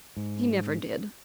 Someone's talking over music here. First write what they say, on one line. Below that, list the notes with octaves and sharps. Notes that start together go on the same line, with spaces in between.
He never did.
G#2